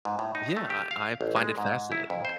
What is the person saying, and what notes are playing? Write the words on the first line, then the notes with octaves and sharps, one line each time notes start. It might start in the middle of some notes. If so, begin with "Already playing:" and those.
Yeah, I I find it fascinating.
G#2
A2
D#4
A3
G4
F5
A1
G#3
G#2
E4
F2
C5